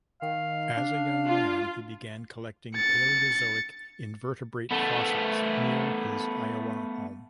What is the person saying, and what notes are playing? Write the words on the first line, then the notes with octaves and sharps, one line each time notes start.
As a young man, he began collecting Paleozoic invertebrate fossils near his Iowa home.
D#3 F5
D4
F4
A6 C#7
A3 B3